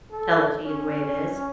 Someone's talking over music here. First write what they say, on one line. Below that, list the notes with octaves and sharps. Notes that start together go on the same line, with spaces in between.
tell it to you the way it is.
A4
C#4